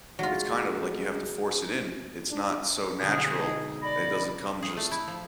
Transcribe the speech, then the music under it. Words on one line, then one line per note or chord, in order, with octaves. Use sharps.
it's kind of like you have to force it in, it's not so natural, it doesn't come just
F#3 G#3 F4
D4
B2 D3 F#3 G#4
G#3 D#4
D5 A#5 B5
G#4
A3
E4
F3